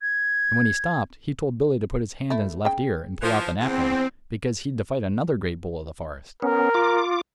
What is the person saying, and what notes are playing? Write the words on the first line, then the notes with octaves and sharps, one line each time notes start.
And when he stopped he told Billy to put his hand in his left ear and pull out the napkin, because he'd to fight another great bull of the forest.
G#6
A3 E4
C#3 G5
E3 F3
E2 C4
B3 C#4 A#4
F4 D6